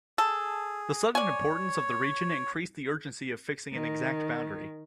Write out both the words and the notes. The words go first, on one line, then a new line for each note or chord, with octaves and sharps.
The sudden importance of the region increased the urgency of fixing an exact boundary.
G#4 A4
C#5 D5 G#5
D#3